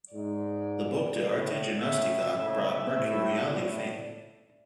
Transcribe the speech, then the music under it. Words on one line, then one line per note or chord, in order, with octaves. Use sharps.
The book "De Arte Gymnastica" brought Mercuriale fame.
G#2 D5
A2
A2 C#3 E5
A2 C#3 E5
A2
A2 D5